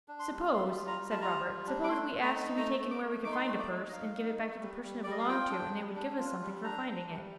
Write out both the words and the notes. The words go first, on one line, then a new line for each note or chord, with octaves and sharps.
'Suppose,' said Robert--'suppose we asked to be taken where we could find a purse and give it back to the person it belonged to, and they would give us something for finding it?'
D4
C6
G3
G3 C6
F4
A#5
G3
A5
F4 A#5
G3
D4
D6
A3 C6
A3
A#5
D#4
A3 A#5
A3
D6
A3
D#4 D6
C6
A#5
A3 C6
D5
D#4
D#5
D#4 F5
D#4
A3
G3
G3
G3 D5
D#5
F5
F4 G5
D4
G3
D4
F4
G3
D4 A#5
D4
G3